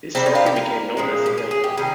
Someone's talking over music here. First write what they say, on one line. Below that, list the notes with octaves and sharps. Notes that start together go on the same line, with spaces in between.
This trophy became known as the Grey Cup.
C3 G3 C4
D#4
F4
G4
A#4
A#2 F3 G#3
G4
G#4
G#4
G4
C3 D#3 G3 G#4